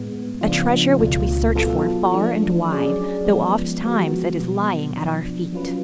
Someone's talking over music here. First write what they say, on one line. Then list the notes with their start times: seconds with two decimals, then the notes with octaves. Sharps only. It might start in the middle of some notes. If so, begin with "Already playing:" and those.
A treasure which we search for far and wide, though oft-times it is lying at our feet.
Already playing: A2 G#3 B3
0.41 C#3 F3 B3 D4 F4
0.98 C#2 B2 A3 F4
1.55 F#3 B3 F4 A4
2.12 F3 A3 D4
2.69 F#3 C#4 G#4 D5
3.25 F3 G#3 B3
3.82 F3 G#3 B3 F#4
4.39 B2 F#3 B3
4.96 F3 B3 D4
5.53 F#3 C#4 F4 B4